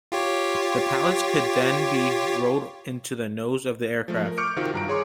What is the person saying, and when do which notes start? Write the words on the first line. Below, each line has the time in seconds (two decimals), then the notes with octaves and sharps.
The pallets could then be rolled into the nose of the aircraft.
0.12 F4 G4 C#5
4.08 F3 A3
4.25 A#4
4.38 C#6 D6 F6 G6 C#7 D7
4.56 C3 D#3 C4 F4 F#4
4.73 G2 A#5 D7
4.88 G#4 C#5 C6 D6